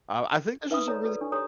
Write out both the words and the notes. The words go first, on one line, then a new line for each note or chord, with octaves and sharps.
I w I think this is a really
D#4 B4 E5 B5 D#6
A4 C#5 D5 A#5
F#4 A4 B4 D5
D4 C#6
G4 A4 C#5 A#5 D#6